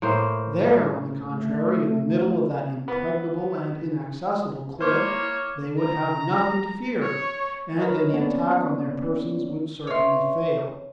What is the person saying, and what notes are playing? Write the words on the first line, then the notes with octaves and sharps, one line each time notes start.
There, on the contrary, in the middle of that impregnable and inaccessible cliff, they would have nothing to fear, and any attack on their persons would certainly fail.
A2 A#3 C5
A3
B3
A#3 E4 C5 C#5 C#6 D6 F6
A#5
C#5
A#4 B4 C#5 D#5
A#3 B3 C#4 B4 C#5 D5
B4 C#5 D#5 E5 C6
C#5